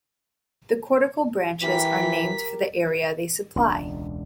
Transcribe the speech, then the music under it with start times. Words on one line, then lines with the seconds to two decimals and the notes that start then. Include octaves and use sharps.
The cortical branches are named for the area they supply.
1.62 E3 G4 A#4 B6
3.56 E1 C#2 C#4 D4